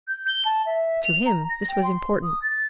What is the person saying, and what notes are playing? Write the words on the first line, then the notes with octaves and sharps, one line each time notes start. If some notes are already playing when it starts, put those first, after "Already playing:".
To him this was important.
G6
G7
A5
E5
F7
A#5
A#6
G5
C6
D#6
A6